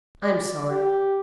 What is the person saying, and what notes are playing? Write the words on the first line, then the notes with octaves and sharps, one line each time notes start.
I'm sorry.
D5
G4